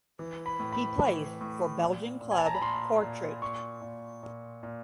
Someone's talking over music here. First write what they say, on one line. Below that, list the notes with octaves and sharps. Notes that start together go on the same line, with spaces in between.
He plays for Belgian club Kortrijk.
E3
B5
A2
B5
E3
A2
A#2
A#2
G#5
A5
A#5
B5
A#2 C6
A#2
A#2 C#6
A#2
A#2
A#2